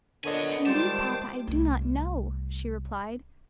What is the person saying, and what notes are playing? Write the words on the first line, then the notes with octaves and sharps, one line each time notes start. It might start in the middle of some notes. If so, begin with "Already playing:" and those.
"Indeed, papa, I do not know," she replied.
A#2 D3 B3 A#4 C#5 D#5 F#5 G#5
D#3 G3 G#3 F4 C5 A5 D6
C2 A3